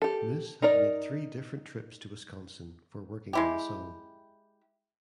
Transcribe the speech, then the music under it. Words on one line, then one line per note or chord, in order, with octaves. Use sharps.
Moose had made three different trips to Wisconsin for working on the song.
G4 A4
D#4 A#4 D5
G#3 E4 G4